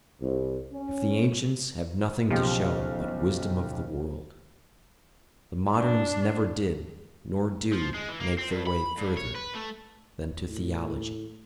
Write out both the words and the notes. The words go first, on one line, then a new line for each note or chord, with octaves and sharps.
If the ancients have nothing to show but wisdom of the world, the moderns never did nor do make their way further than to theology.
C2
C#4
B1 C#3 F3 G4
D4
F3
G#3
E3
A#3
C4
G2
B5
G2
C#5
B4
A3
A2